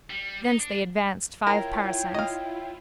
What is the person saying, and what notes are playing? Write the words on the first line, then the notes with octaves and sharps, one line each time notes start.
Thence they advanced five parasangs.
G3
D#4
D4
E4 F4 A#4 C#5 G5
D#5 F5